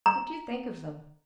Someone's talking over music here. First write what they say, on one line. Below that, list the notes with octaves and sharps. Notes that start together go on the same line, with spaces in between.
What do you think of them?
A#5